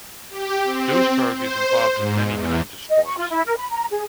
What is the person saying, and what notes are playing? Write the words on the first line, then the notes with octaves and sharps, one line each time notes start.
Duisburg is involved in many kinds of sports.
G4
C4
C5
G#2
E2
D#5
C#6
F4
E4
A#4
B5
A#5
G#4